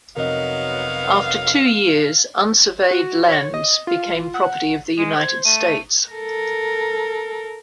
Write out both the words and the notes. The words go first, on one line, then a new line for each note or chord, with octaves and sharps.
After two years, unsurveyed lands became property of the United States.
F1 F#3 B3 A#4 D#5 F5
F#4
C#5
D#5
F4
F#5
G#3 D#7
C5 G#6
A3 D#7
A4 A#4